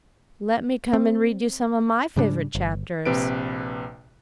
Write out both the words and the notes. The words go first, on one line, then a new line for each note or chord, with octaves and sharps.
'Let me come and read you some of my favourite chapters.'
C4
G#2 C#3 G3 D4
G1
A#1 C3 B4 D7